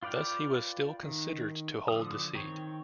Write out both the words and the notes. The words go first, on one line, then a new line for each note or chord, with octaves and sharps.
Thus he was still considered to hold the seat.
F4 B4 D5 F5 G5
D#3
D3 F3 D#6
D#3 C4 C#5